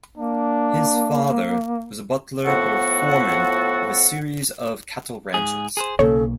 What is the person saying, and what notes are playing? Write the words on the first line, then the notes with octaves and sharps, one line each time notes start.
His father was a butler or foreman of a series of cattle ranches.
A#3 D4
A2 F3 B3 F#4 A4 F#5
G#2 G#4
G#4 A#4 C5
B1 C#3 A#3 A4 C#5